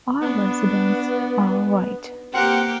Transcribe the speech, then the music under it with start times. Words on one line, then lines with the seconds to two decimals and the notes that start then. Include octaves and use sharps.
All residents are white.
0.22 B3 D4
2.33 A#3 C4 G4 A#4 F#5